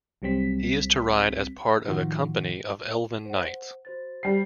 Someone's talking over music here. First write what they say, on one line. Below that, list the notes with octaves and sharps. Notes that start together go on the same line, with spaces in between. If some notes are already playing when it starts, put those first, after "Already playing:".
He is to ride as part of a company of elven knights.
C2 F#3 G3 C4 B6
A2 D#3 F3 F4 F#4
C5 F#5
F#4 C5 A6
G3 C7